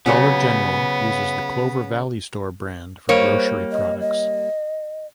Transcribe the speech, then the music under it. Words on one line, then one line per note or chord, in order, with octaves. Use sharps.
Dollar General uses the Clover Valley store brand for grocery products.
C#3 F#3 B3 G4
G3 A#3 C5 C#5
D#5
D#5